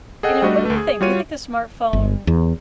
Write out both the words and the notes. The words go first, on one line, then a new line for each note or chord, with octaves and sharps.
you know, what do you think? Do you think the smartphone
G#4 A4 D#5 F#5 G5
G3 A3 D4 F#4 D#5
D2 A3
G#4
G3 F4 F#4 C#5 D#7
G1
E2